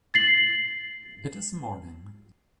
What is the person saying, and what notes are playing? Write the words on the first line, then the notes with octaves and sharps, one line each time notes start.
It is morning.
A6 C7 F#7